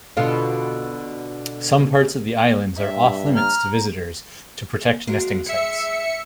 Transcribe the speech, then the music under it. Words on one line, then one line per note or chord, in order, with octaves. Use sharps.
Some parts of the islands are off limits to visitors to protect nesting sites.
B2 D3 F4
G2 E5
A#5 F6
F#3 G#3 A#3
G#3 E5 C#7